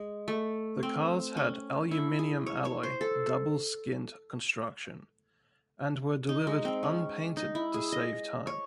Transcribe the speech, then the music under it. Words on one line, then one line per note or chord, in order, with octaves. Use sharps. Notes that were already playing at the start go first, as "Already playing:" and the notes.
The cars had an aluminium-alloy double-skinned construction, and were delivered unpainted to save time.
Already playing: G#3
A3
C4
C#4
E4
G#4
C#5
C#5
C5
A4
D#4
G#3
C4
C#4
D#4
E4
G#4
D#5
C#5